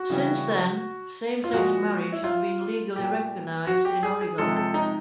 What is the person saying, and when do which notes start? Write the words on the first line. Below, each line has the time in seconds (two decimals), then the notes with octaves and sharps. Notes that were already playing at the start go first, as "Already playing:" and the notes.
Since then, same-sex marriage has been legally recognized in Oregon.
Already playing: F#4
0.10 C#3 E3 G3
1.44 F4
1.53 A#2 F3 G#3 F#4
2.12 E4
2.24 F4
2.96 A#2 G3 G4
3.67 F#4
3.85 G4
4.03 G#4
4.21 G#4
4.38 C3 F3 G#3 A4
4.56 A4
4.74 D#4